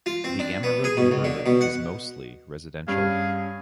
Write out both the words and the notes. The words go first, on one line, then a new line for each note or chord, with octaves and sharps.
The Ammerud neighborhood is mostly residential.
F4
C4
D4
B3
G#4
B2
C#2
D3
B2
F#5
G2 C#4 G#4 F5